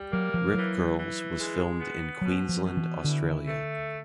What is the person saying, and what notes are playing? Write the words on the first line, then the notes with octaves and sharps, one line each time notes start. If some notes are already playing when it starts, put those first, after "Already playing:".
"Rip Girls" was filmed in Queensland, Australia.
Already playing: G3
F#3 A#3
F3
E3 F#3
E3
G#3
B3
B2 F#3
F3
B2
E3
D3 E3
A3